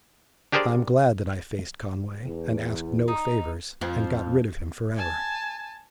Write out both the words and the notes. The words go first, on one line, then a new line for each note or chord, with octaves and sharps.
I am glad that I faced Conway, and asked no favors, and got rid of him forever.
D4 G4 G#4 A#4 C5 D5
E2
D#4
F2 F3
G#5 A5